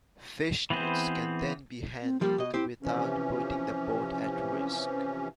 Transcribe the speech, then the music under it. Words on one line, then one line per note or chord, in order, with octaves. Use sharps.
Fishnets can then be handled without putting the boat at risk.
E3 B3 C4 G#4 C5
C4
F3 G3 A#3 G4
B2 D#5
C4 E4 G4 C5
C3 E3 F3 C#4